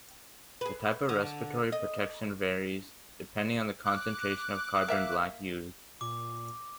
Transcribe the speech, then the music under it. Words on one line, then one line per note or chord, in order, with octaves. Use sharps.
The type of respiratory protection varies, depending on the concentration of carbon black used.
G#4 B4
D3
D#5
D6 F#6
A#3 E5 F5
A#2 D6